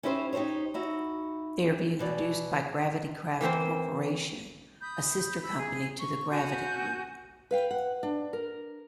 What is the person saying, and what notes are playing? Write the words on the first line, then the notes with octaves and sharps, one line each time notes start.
They are being produced by Gravitykraft Corporation, a sister company to The Gravity Group.
C#4 D#4 E4 G4 B4 C5
D#4 G4 A4 C5 C#5
D#4 E4 F#4
B2 E3 D5
E3 A#3 C4 C5
B5 D#6 G6
B5 E6
G#4
C#6
F#4 G#5 G6
B4 F5 G5
F#5
D4
A#4